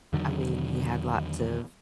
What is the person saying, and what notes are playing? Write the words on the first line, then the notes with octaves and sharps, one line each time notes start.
I mean, he had lots of
E2 D3 D#3 F#3